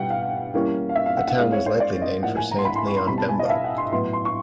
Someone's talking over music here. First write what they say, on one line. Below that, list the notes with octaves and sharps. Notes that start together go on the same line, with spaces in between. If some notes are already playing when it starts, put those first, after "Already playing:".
The town was likely named for Saint Leon Bembo.
Already playing: B2 G3 B3 F#5 G5
F5
E3 G3 A#3 C#4
F5
E5
F5
F#5
F#5
E3 G#3 C4 F5
C#5
C5
D5
D#5
A2 F3 A#3 F#5
G#5
A#5
C6
B5
C6
C#6
C6
B2 G3 C4 B5
A5
G#5
D#5
F5
E5
F#5
C6
A2 F#3 B3 C6
C6
C#6